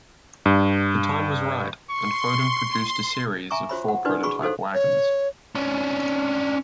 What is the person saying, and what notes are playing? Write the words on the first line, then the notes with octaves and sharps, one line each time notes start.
The time was right and Foden produced a series of four prototype wagons.
G2
C6 C#6
E5 G#5 A#5 C#6 D6
F4 F#4 C5 C#5 E5 B5
F#5
D4 E4 F#4 B4 D5
F#4 G#4 B5 C#6
D#4 F#4 A4 C5 C#5 F5
C#5
C#4 D4